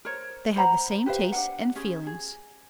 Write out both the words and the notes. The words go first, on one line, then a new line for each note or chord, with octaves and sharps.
They had the same tastes and feelings.
A#4 C5 C#5
C5 F#5 A#5 B5
G4 B4 C5 F5
D4 A#4 F#5
C#4 G#4 C5
G#4